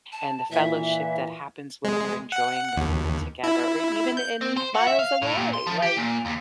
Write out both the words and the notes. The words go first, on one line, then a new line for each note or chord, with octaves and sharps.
and the fellowship that happens when you're enjoying the food together or even in miles away. Like,
A5
A#2 E3 E4 E5
G#3
F#5
D#2
E4
G6
C4
C5
F#4
E5
F5
A2
A#2
C6
F3
G4
A#2
D#2